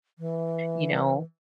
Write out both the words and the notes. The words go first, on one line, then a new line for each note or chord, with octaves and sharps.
you know
E3